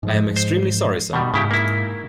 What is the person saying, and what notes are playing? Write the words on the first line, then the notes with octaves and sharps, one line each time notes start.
I am extremely sorry, sir.
G#2 F3 G#3
C5
B2 D#3 G3
G#2 C#3 E4 G4
A#3 E4